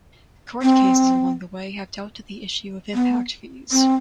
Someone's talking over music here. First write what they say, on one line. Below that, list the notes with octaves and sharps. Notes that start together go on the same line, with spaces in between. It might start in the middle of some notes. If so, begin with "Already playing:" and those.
Court cases along the way have dealt with the issue of impact fees.
C4
B3
C4